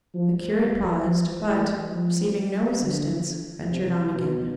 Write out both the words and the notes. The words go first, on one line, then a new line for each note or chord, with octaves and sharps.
The curate paused, but, receiving no assistance, ventured on again.
F3
G3
F3
E3
F3
D3
C3
B2